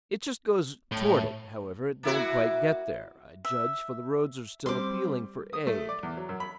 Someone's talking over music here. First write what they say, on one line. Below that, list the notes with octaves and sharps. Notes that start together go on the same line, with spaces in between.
It just goes toward it, however; it don't quite get there, I judge, for the roads are still appealing for aid.
A2
A#3 E4 F#4
E5
G3 C4 C6 D6
D#6
A3
D5
E2
F#3
F#2
B5